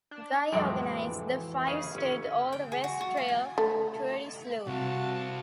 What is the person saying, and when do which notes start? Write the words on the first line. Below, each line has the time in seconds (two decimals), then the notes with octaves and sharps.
Guy organized the five-state Old West Trail Tourist Loop.
0.11 D4
0.52 F2 A2 C3 E3 F#3 G#3 D5
1.66 D#2 C#3 G#4
1.95 G1 C#4
2.53 G5
2.72 G#4
2.84 F#4
3.01 F#4
3.17 F5
3.28 G#5
3.58 A3
4.67 C2 C3 F#4 F5 A5